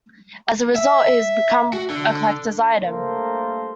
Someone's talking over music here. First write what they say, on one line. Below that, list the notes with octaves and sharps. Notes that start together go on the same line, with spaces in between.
As a result, it has become a collectors item.
E5
F#4
D3
G2 A3 A#3 A4 A#4 C5